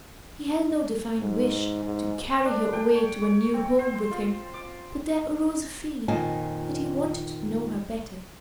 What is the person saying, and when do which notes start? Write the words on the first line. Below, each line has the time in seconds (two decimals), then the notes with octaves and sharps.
He held no defined wish to carry her away to a new home with him, but there arose a feeling that he wanted to know her better.
1.18 G#2
1.84 G#2
2.45 D4
2.73 G5
2.95 C#5
3.22 C#5
3.54 C4
3.79 C5
3.95 C6
4.11 F4
4.54 D6
6.08 F2 A#2 D#3 D#5 G#5 A5